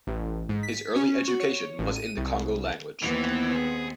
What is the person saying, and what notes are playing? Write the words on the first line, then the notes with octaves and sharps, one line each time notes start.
His early education was in the Kongo language.
A1
G#2
B6
C#4
F#4
C#5
A1
D#7
C2
D#2 E3 B3 C4
G#4